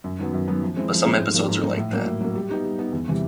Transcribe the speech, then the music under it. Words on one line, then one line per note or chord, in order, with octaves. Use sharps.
But some episodes are like that.
F#2
D#3 F#3 B3
F#2
D#3 F#3 B3
F3
G#3 C4 E4
F3
G#3 C4 E4
G#2
F3 A#3 D#4
G#2
F3 A#3 D#4
A2
F#3 A#3
A2
F#3 A#3
G3
B3 D#4 G4
G3
B3 D#4 G4
E2
C3 E3 G3